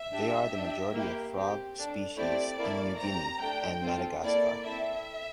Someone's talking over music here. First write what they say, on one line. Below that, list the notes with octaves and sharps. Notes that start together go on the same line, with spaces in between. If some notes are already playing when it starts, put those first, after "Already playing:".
They are the majority of frog species in New Guinea and Madagascar.
Already playing: E5
D4 G4
D4 G4
A#3 E4 G4
C4 G4
D4 A4
A3 C4 E4 G4 D5
A#3 E4 A4
C4 G4 A#5
A3 D4 A4 G5
C4 F4 A4
A#3 E4 A4 D5
C4 E4 A4 E5